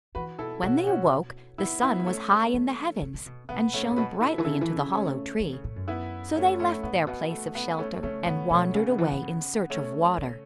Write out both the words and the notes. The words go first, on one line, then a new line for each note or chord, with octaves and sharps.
When they awoke the sun was high in the heavens, and shone brightly into the hollow tree, so they left their place of shelter and wandered away in search of water.
E3 F#4 B4
B2 E4 A4
B2 C#4 F#4
C#4 F#4
B3 E4
B3 E4
A3 C#4
A3
E3
C#3
C#3
B2
B2 B3
A3 C#4
A2
B2 F#4 B4
E4 A4
E3
C#3 E4 A4
E3
C#3
A3 C#4
E3
C#3
A2
F#2
B3 E4
A3 C#4
A3 C#4
A2 B3
B2 B3
A3
B3
A3 C#4
C#3 A3 C#4
C#3 B3
B2 A3 C#4
C#3 B3
B3
E3
B3
E3
C#3
A3 C#4
C#3